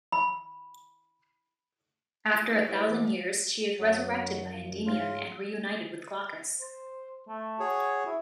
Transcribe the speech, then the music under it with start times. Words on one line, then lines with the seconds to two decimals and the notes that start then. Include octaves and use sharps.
After a thousand years, she is resurrected by Endymion and reunited with Glaucus.
0.12 B5
2.33 F4
2.52 D#4 B4 C#5 G5
2.68 E4 G4 B4 C#5 D5
2.88 E3 A3 A4
3.79 F#2 F#3
4.86 G#2 C#3 F4
6.61 C5
7.29 A3
7.60 F#4 G#4 C#5
8.06 E4